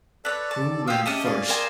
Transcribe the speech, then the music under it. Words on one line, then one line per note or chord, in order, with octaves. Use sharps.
Who went first?
A4 B4 C#5 D5
A5
F4 G4 F5 D#6 E6
C#4 E4 G4 G#4 D#5 A5
G#4 D5 F5
A#4 C5 G#5